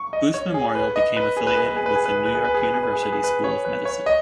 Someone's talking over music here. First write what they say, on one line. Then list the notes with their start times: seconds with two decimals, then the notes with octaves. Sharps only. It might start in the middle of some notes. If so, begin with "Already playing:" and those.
Booth Memorial became affiliated with the New York University School of Medicine.
Already playing: C#6
0.13 D#5
0.34 C#5
0.54 G#4
0.75 B4
0.96 D#5
1.17 B4
1.37 G#4
1.47 B4
1.57 G#4
1.66 B4
1.76 G#4
1.86 B4
1.95 G#4
2.06 B4
2.15 G#4
2.25 B4
2.35 G#4
2.44 B4
2.54 G#4
2.64 B4
2.74 G#4
2.83 B4
2.93 G#4
3.03 B4
3.12 G#4
3.24 B4
3.44 C#5
3.65 B4
3.85 C#5
4.06 D#5